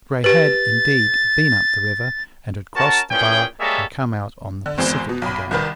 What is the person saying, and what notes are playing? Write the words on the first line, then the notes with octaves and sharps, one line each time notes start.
Gray had, indeed, been up the river, and had crossed the bar and come out on the Pacific again.
G4 B4 A6
C#4 F#4 A#4 A5
A#2 E3 C#4 G#4 G5
G3 G#3 A#3 A4 C#5 E5
D3
G#1 E2 G#3 C4
B2
B1 B5
C2 D#3 B4